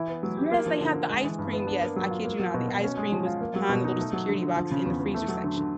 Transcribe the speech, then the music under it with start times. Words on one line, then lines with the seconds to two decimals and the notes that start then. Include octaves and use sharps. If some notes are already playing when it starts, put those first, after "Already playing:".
Yes, they have the ice cream, yes, I kid you not, the ice cream was behind the little security box in the freezer section.
Already playing: E3 E4
0.09 B3
0.23 F#3
0.37 G4
0.52 A#3
0.66 F3
0.81 D3
0.95 D3
1.10 G#3
1.24 E3
1.38 G2
1.53 B3
1.67 D4
1.82 A#3
1.96 F#3
2.10 F4
2.25 A#3
2.39 F#3
2.54 B2
2.68 B2
2.84 C#4
2.98 G#3
3.12 F3
3.26 F4
3.41 A#3
3.56 F#3
3.69 B2
3.84 D#4
3.98 A3
4.13 F#3
4.28 D3
4.42 D3
4.57 F3
4.71 C#3
4.85 E2
4.99 E2
5.14 A3
5.28 F#3
5.44 D3
5.57 D3